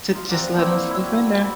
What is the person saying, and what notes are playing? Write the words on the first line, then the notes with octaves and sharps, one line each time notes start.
To just let 'em sleep in there.
D#4 F4
C4 A#4 D5 F#5
A#3 C4 E4
E4 F#4
A4
D5 B5